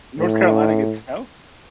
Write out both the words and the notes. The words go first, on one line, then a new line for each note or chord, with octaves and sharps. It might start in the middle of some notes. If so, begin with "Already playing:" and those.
North Carolina gets snow?
A2